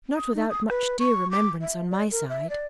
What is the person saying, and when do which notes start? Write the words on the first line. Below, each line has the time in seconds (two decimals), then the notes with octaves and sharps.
Not without much dear remembrance on my side.
0.16 D#6
0.34 D#4
0.50 D#6
0.69 B4
0.99 C#6
1.31 D6
1.61 E5
1.91 D5
2.11 A#4
2.29 E5
2.50 D5